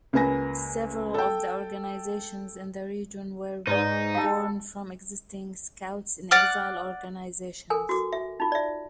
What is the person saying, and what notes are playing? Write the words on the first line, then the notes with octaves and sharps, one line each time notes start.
Several of the organizations in the Region were borne from existing Scouts-in-Exile organizations.
C#2 A#3 B4 G#5 A#6
A4 G5
G#2 D#4 B4 D5
G3 A4 F5 A5
D5 F#5 F6
A4 A#4 G#5
F#4 D6
E5
D#4 F4
D5 E5